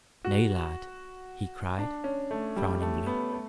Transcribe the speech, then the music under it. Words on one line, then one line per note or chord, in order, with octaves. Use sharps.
"Nay, lad," he cried, frowningly.
F#4
D4
C#4
A3
G3
A3
B3
A3